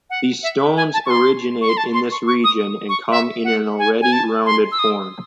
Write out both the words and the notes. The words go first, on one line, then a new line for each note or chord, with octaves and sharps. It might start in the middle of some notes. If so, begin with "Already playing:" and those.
These stones originate in this region and come in an already rounded form.
F#5
E5
G#5
A5
C#6
C6
C#6
C6
A5
C6
C#6
C#6
D#6
C#6
E5
F#5
G#5
G#5
A5
C6
E6
D#6